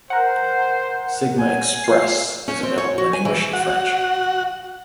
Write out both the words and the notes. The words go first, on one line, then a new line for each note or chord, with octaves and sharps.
Sigma "express" is available in English and French.
A#4 C5 F#5
G#5
F4 C7
C#4
C4
C#5
F#4
G#5
E3
F#4 F#5